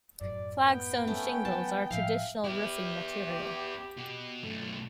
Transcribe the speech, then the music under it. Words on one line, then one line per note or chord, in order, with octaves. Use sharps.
Flagstone shingles are a traditional roofing material.
F#2 A2 D5
B3 G5
A3 C#4
F#3 F4 A5
A2 F3 E5 F5
B3 E4 G4
B2
B1 A3